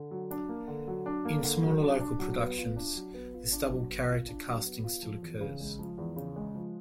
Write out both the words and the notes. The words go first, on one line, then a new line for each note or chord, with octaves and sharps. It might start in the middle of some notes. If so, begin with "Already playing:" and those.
In smaller local productions, this double character casting still occurs.
Already playing: D3
F#3
D4
A#3
D3
F#3
D4
A#3
D3
F#3
D4
D4
F#3
B3
F4
D4
F#3
B3
F4
D4
F#3
B3
F4
D4
F#3
B3
F4
F3
E2
C#3
G#3
F3
E2
C#3
G#3
F3